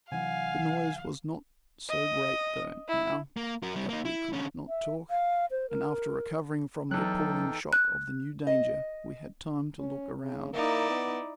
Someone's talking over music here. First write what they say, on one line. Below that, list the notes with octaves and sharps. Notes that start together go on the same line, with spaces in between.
The noise was not so great though, now, that we could not talk, and after recovering from the appalling shock of the new danger we had time to look around.
C3 E3 F#3 F5 F#5 G#5
D#5
E4
A#3
F#3 A#4
G3 C4
A#3 D#4
E4
D3 C#4
E5
F5
C5
A#4
E2 F#3 D#4 A4 G5 F#6
F#6
D#5
C#4
C#3
A#3 D#4 E4 D5
B3